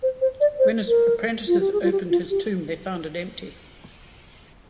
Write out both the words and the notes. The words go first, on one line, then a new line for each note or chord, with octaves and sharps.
When his apprentices opened his tomb, they found it empty.
C5
C5
D5
C5
A#4
F4
G4
G#4
F4
G4
F4
G4